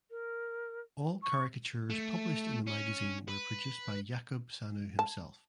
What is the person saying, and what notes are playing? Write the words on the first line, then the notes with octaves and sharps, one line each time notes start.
All caricatures published in the magazine were produced by Yaqub Sanu himself.
A#4
C#6
A3
C#4
B4
A5